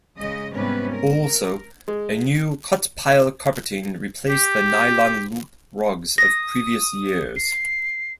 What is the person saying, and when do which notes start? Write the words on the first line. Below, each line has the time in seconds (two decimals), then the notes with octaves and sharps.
Also, a new cut-pile carpeting replaced the nylon loop rugs of previous years.
0.18 C#3 G#3 D#5
0.52 G#2 C3 G3 B3 C#4 B4
0.93 A#4
1.88 G#3
4.29 G4
6.18 D#6 A#6
7.36 C7